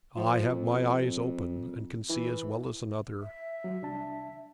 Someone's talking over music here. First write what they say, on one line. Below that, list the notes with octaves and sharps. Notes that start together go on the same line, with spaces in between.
I have my eyes open and can see as well as another.
F3
F2
E3
E5
F#3
C2 D4 A5